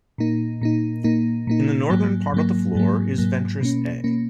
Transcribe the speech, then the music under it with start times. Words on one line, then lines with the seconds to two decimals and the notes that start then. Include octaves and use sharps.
In the northern part of the floor is Ventris A.
0.18 A#2 A#3 D#4
0.61 A#2 A#3 D#4
1.04 A#2 A#3 D#4
1.47 A#2 A#3 D#4
1.90 G#2 F#3 A#3
2.33 G#2 F#3 A#3
2.75 G#2 F#3 A#3
3.18 G#2 F#3 A#3
3.61 B2 A#3 C#4
4.04 B2 A#3 C#4